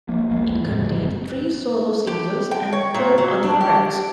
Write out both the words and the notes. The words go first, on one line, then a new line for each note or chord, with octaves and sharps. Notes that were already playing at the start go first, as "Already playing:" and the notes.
It contained three solo singles and twelve other tracks.
F3 A#3 B3
D#1 A#1 A#2 A#3
E2
F2 A2 C3
G#2 C#3 F3 F#3
F#1 C3
G4
G5
C#5
A#2
F#3
D4
G4